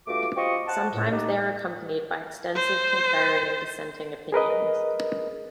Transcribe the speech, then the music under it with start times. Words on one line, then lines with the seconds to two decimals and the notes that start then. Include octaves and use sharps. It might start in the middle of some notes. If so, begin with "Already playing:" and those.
Sometimes, they are accompanied by extensive concurring and dissenting opinions.
0.08 G2 A3 F4 F#4 D6
0.36 F4 G4 C5 D#5 C#6
0.67 C5 F#5 A5
0.93 C#2 A2
1.11 D#4 G4
2.55 C5
4.32 G#4 A#4 B4 D#5